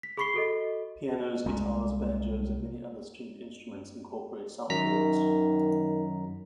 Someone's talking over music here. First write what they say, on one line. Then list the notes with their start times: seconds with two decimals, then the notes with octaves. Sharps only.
Pianos, guitars, banjos, and many other stringed instruments incorporate soundboards.
0.03 B6
0.17 G#4 B5 C#6 B6 C7 G7
0.34 F#4 A4 D#5
1.46 C2 G#3 A3
4.70 F#2 D#3 A#5 B6